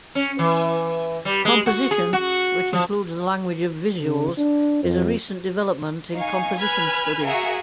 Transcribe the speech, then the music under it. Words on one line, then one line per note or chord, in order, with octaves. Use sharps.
Composition, which includes the language of visuals is a recent development in composition studies.
C#4
E3
G3
G#3
F#4
G#4
F#4
F3
C#3
D4
F2
D#4 F5 G#5 C#6
B4 G#5 B5 F6 F#6 G#6
F#4 G#4 A#4 E5 F5 G#5